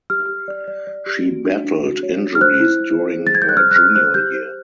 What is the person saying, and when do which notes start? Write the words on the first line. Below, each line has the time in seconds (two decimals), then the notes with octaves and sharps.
She battled injuries during her junior year.
0.10 G4 F6
0.29 G4
0.48 D5
0.68 D5
0.87 D5
1.06 G4
1.25 F#4
1.45 D4
1.65 D4
1.83 F#4
2.03 C#5
2.23 D4
2.35 F6
2.41 C5 F#6
2.60 E4
2.80 E4
2.99 C5
3.19 G#4
3.27 A6
3.35 G#6
3.38 C5 G6
3.49 F#6
3.57 C5 F6
3.71 F#6
3.76 C5 F6
3.96 C5 F#6
4.14 G4 G6
4.34 C5